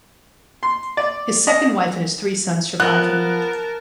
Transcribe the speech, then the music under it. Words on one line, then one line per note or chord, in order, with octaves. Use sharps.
His second wife and his three sons survive him.
C6
D5
D#5
F3 B3 A#4 A5 F#6